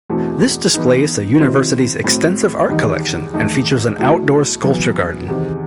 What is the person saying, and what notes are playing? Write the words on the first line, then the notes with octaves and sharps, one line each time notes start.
This displays the University's extensive art collection, and features an outdoor sculpture garden.
E2 B2 A3 C4 E4
E3 B3 D#4
C3 D#3 F#3 C4 E4
A2 F#3 C4
E2 D#3 G3 D#4
E2 D#3 A3 D#4
B2 F#3 A3 E4
F#2 E3 B3
E2 C3 D#3